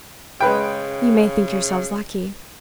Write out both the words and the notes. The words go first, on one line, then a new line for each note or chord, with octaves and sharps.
'You may think yourselves lucky.'
C#3 G#3 B4 G5